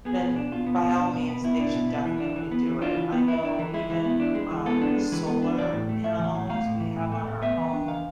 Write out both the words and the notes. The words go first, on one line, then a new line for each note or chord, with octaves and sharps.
then by all means, they should definitely do it. I know even, um, solar panels we have on our home
B3 G#4
B2
D4
B2 F4
B3
B2
D4
B2
B3
B2 E4
D4
B2
B3
E3
D4
E3
B3
E3
D4 F4
E3
B3
E3 E4
D4
E3
G#3 E4
E3
B3
D4
G#3
E3
B3 A4
D4
G#3
E3 B4
B3
D4
E3 D5
A2
A3
A2 E5
E3
A2
A3 F5
A2
E3
A2
A3
A2
B3 E5
E3
D4
E3 F5